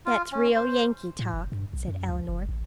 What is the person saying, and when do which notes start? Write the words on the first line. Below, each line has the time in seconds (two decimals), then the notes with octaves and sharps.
"That's real Yankee talk," said Elinor.
0.06 F4
0.32 C#4
0.56 C5
1.19 A2
1.33 F#1
1.52 G2
1.73 B1
1.88 F#2
2.09 C#2
2.28 F#1
2.49 A1